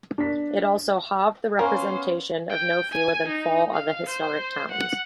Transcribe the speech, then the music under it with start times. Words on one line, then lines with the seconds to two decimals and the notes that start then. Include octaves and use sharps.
It also halved the representation of no fewer than four other historic towns.
0.18 D4 B6
1.59 B3 C#4 A#4 C5 F5 G#5
2.49 G5
2.91 G#5
3.28 D#4
3.73 F5
4.06 C5
4.72 F#5